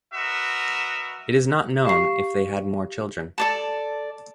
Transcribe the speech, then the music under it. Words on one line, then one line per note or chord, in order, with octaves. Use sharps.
It is not known if they had more children.
F#4 A#4 B4 D#5 E5
G4 F5 C#6 C7
A4 D5 A5